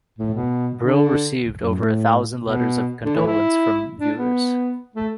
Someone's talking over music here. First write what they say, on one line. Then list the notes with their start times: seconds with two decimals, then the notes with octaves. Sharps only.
Brill received over a thousand letters of condolence from viewers.
0.19 A2
0.34 B2
0.81 D3
1.62 F#2
1.77 A2
2.41 B2
3.05 D3
3.16 E3
3.27 E4
4.00 D4
4.17 B3
4.96 A3